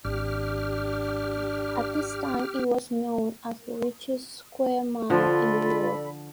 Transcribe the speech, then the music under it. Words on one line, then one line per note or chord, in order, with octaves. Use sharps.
At this time it was known as the 'richest square mile in Europe'.
G#1 D4 G4 F6
D3 F3 F4 A4 D5 B5